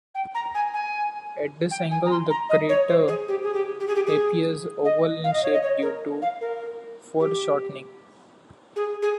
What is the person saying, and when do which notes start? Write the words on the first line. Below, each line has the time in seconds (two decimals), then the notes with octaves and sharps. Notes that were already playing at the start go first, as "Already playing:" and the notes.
At this angle the crater appears oval in shape due to foreshortening.
0.14 G5
0.34 A#5
0.54 G#5
0.73 G#5
1.71 G5
1.91 G#5
2.05 A#5
2.10 C6
2.30 A#5
2.49 D#5
2.69 C#5
2.88 C5
3.08 G#4
3.28 G4
3.42 G#4
3.54 G4
3.80 G4
3.87 G#4
3.95 G4
4.06 G#4
4.84 D#5
5.24 F5
5.33 D#5
5.43 C#5
5.53 D#5
5.62 C#5
5.82 A#4
6.22 F5
6.41 A#4
7.19 G4
8.76 G#4
9.02 G#4